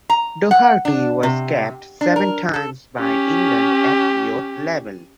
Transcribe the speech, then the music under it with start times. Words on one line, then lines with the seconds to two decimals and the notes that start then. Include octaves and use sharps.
Doherty was capped seven times by England at youth level.
0.10 A#5
0.51 F#5
0.85 D4
1.23 C3
2.01 D4
2.16 A#4
2.54 A4
2.99 C#4 G4